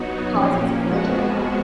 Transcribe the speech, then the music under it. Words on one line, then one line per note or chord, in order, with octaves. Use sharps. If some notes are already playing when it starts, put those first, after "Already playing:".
politics and religion a lot,
Already playing: F#3 B3 D#4 F#4
A#2 F3 A#3 C#4
F2 F3 G#3 B3 F#4